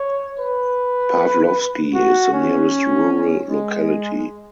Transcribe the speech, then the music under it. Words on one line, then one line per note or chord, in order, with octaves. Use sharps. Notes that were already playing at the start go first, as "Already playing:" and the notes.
Pavlovsky is the nearest rural locality.
Already playing: C#5
B4
F#4
C#4
G#3